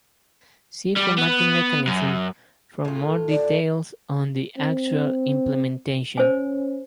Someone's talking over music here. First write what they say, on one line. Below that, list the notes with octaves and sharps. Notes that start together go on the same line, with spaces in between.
See Formatting Mechanism for more details on the actual implementation.
G3
B3
F#2
A2 F4
D5
C4
C#4 C5 G#5